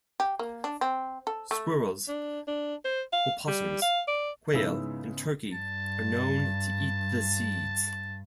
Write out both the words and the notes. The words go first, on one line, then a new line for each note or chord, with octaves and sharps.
Squirrels, opossums, quail, and turkey are known to eat the seeds.
G4
A#3
D4
C4
A4
A3
D4
D4
C5
F5
G3
F5
D5
G#2 C#3 B3 E4 E6
G2 A5